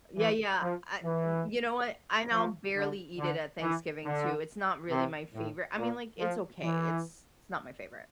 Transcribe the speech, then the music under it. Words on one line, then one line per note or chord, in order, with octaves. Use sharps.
Yeah. Yeah. Uh, n you know what? I, now, barely eat it at Thanksgiving too, it's not really my favorite. I mean, like, it's okay, it's it's not my favorite.
E3
F3
E3
F3
D3
D3
E3
D3
C3
A2
A#2
F3
E3